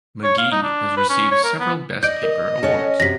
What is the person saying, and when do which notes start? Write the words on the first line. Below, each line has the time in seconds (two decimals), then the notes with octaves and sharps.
Magee has received several best paper awards.
0.24 C#5
0.38 F5
0.52 D#4
0.63 D4
0.97 B4
1.09 C#4
1.31 C#5
1.44 A#4
1.60 B3
2.03 D5 D#5 G6 D7
2.23 A#4
2.63 C#4 A4 C#5 F#5
3.00 F#2 C3 A#6 B6